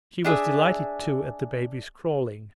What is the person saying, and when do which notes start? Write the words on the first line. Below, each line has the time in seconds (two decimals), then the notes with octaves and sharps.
She was delighted, too, at the baby's crawling.
0.25 D4 G#4 E5